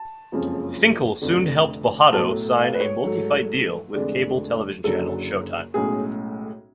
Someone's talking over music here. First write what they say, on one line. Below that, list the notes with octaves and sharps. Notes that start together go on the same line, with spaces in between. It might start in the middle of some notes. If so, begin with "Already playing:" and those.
Finkel soon helped Bojado sign a multi-fight deal with cable television channel Showtime.
Already playing: A5
F#1 F2 F3 G#3 C#4
F1 F2 D3
B1 A2 F#3 A3 A5
F5
B4
C#5
G#2 F#3 A3
F1 F2 D3 G#3 D4
F#1 F#2 D3 F#3 A4
B1 A2 G#3 C#4 G#4